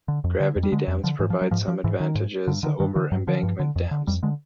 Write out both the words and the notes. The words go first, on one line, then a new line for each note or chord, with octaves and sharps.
Gravity dams provide some advantages over embankment dams.
D3
F2
D3
F2
G3
D3 G#3
F2
D3 F3
G#2 E3
F3
F#3
G#2 F3
F3
G#2 E3
D#3
G#2
G2 D3
D3 D#3
G2 D#3
D3 E3
G2 F#3
D3 F3
G2
D3
F2
D3
F2 G3
D3 G#3